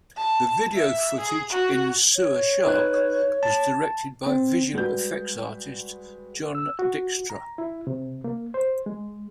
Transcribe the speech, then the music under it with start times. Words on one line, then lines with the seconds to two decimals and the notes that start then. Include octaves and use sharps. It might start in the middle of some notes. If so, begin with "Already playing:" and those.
The video footage in "Sewer Shark" was directed by visual effects artist John Dykstra.
0.17 A5
0.75 E5
1.20 G#4
1.51 F#4
2.16 C#5
2.66 D#4 B4 F#6
3.43 A5
4.27 C4
4.73 G3 G#3 F#4 B4 G6
6.55 E6
6.79 F#4
7.30 A#5
7.58 E4
7.87 C3
8.24 A#3
8.54 C5
8.86 G#3